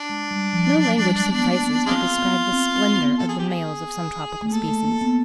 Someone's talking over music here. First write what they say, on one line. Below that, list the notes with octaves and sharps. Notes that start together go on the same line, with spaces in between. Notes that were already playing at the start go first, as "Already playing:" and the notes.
No language suffices to describe the splendour of the males of some tropical species.
Already playing: D4
G#3
G3
F3
F#3
G3
G#3
B3
A#3
B3
G#3 C4 D4 F4
B3
C4
C4
B3
A4
G#4
G4
G#4
A3
A#3 A4
A3
A#3
B3